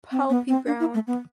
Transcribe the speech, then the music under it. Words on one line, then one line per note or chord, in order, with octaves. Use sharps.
Palpi brown.
C4
B3
C4
D4
E4
A3
B3